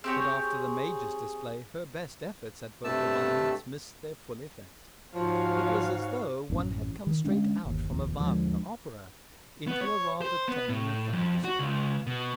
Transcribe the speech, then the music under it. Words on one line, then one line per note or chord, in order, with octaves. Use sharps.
But after the Major's display her best efforts at vocal violence missed their full effect; it was as though one had come straight out from a Wagner opera into a rather tame thunderstorm.
C4 G4 G#4 C#5
G2 C3 A3 A5 E6
G#2 F3 F#4 C#5 F5
A1 F#2 B3 C#4
D#3
D3 G#3 C#4 D4
G1 D#2
F1 A#1 D#2
D#2 D3 F3 G#3
B3
C#5
C5
B3
A2
F2
F#4
C#2
B2